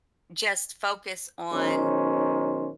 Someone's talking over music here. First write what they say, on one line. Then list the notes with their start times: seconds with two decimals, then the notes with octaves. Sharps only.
just focus on
1.52 B1 D#3 C#4 C5